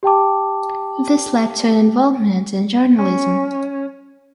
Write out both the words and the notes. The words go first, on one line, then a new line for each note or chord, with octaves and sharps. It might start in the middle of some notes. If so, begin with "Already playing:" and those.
This led to an involvement in journalism.
G4 G5 A5 D6
C#4